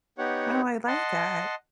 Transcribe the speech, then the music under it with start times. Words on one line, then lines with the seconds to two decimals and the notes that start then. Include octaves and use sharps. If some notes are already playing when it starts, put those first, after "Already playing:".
Oh, I like that.
0.18 B3 D#4 G4 C#5 F#5
0.87 D#5 F#5 A5 C6